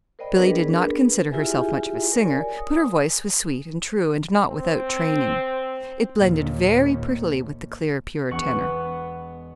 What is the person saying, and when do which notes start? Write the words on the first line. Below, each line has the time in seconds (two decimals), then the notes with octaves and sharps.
Billy did not consider herself much of a singer, but her voice was sweet and true, and not without training. It blended very prettily with the clear, pure tenor.
0.19 A#4 C5 D5 D#5 G5 B5
0.38 B3 D4 G#4 A#4 B4
1.32 E4 F4 G4 G#4 E5 G#5
2.13 A#4 C#5 D5 G#5
2.58 D#6
4.49 C4
6.17 D#2 A#2
8.31 E1 B3 F#5 C#6